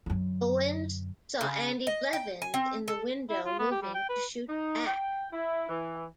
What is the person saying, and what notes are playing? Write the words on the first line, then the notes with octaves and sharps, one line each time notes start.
Owens saw Andy Blevins in the window moving to shoot back.
F#2 D3
C#3
D#5
G5
G#5
C4
A4
E4
F4
B3
G4
G3
G5
B4
D#4
G5
E4
E3